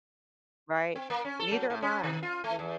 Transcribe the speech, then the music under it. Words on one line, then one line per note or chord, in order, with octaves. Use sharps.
Right. Neither am I. Yeah.
C4
A#3
C#4
A4
F#3
A2
C#4
D#3
F4
A3
E2